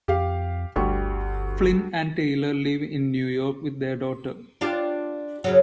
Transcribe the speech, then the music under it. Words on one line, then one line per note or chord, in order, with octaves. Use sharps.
Flynn and Taylor live in New York with their daughter.
F2 G4 F5
G1 D2 G3 C#6
D4 F4 G4
F#2 C#3 F#3